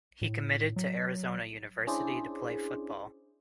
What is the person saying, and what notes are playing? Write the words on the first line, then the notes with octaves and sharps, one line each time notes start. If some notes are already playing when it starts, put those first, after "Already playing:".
He committed to Arizona University to play football.
A2
F#3
C#4 D4 E4 G#4 C5 D5